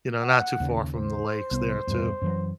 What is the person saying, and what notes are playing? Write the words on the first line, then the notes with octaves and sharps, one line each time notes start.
you know, not too far from the lakes there too.
F#5
D#2 C#3
C5
C2 B3
E2 G2 B2
F#2 E3 F#3